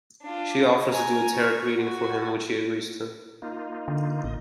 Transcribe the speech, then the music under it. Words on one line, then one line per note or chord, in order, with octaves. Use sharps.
She offers to do a Tarot reading for him which he agrees to.
D4 F4
G#5 A#5
C#6
F#4
A#3 D#4 F4
D3
A1 D#5